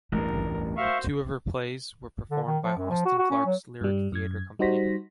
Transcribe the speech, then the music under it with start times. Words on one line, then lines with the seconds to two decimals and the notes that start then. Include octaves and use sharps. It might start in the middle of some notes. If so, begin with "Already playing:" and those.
Two of her plays were performed by Austin Clarke's Lyric Theatre Company.
0.12 A1 E2 G2 A3 A#4
0.77 F#4 C5 E5 F5 C#6
2.31 D3
2.46 D#3
2.63 F3
2.77 F#2
2.90 F3
3.05 F#4
3.18 F#4
3.31 C#4
3.46 F#3
3.81 G2 G3
4.12 F#2 G#6
4.59 G3 D#4 F#4 C5 A#6 B6